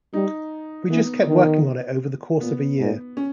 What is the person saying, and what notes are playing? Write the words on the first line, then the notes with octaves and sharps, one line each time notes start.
We just kept working on it over the course of a year.
G3 D#4
E3 B3
D#3
A#2 B3
G#2
C#4